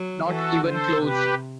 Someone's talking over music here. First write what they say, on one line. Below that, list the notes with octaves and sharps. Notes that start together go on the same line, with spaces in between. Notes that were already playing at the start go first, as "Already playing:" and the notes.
Not even close.
Already playing: F#3
E3 F#4 A4
D3 A4 C5
C3 G4 B4